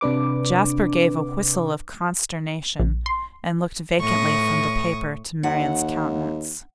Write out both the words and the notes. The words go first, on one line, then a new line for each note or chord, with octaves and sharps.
Jasper gave a whistle of consternation, and looked vacantly from the paper to Marian's countenance.
C3 D4 B4 D6
A#1
C6
A2 C#6 D#6
D#2 F#5